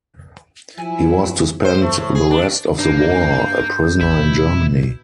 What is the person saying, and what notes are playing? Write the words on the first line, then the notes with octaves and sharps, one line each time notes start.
He was to spend the rest of the war a prisoner in Germany.
F3 F#3 E4 G#5
C5
A3
A2
G#4
D4
G2 A#3 G6
A1 E4
B2